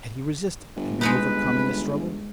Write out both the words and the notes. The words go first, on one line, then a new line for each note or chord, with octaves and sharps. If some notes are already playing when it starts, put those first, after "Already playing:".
Had he resisted, and been overcome in the struggle?
G1
G#3 B3 D#4 B4